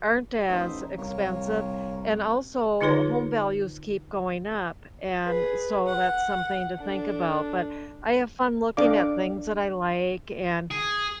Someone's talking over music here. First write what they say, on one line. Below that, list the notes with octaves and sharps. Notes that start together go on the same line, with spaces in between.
aren't as expensive. And also home values keep going up, and so that's something to think about. But I have fun looking at things that I like and
A1 D#4 C5 E5
C2 A#3 A#4 C#5
D3 D#4 F4 G#4 B4 C#5
G#4 B4
F#5
D4 A4
D4 A4 D5 F5 D6
G#4